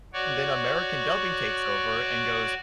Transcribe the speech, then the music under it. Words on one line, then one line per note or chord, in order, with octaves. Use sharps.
Then American dubbing takes over and goes,
F#4 C#5 D5